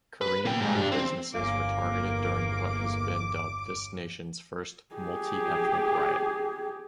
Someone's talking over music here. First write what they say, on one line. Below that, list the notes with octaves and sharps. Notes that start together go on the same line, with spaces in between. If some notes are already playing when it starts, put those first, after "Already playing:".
Korean-run businesses were targeted during what has been dubbed this nation's first multiethnic riot.
B4
A#3 G5
G#2
D4 G4
C4
G1 E2 A#3 C#4 F5 D6
G4 G#4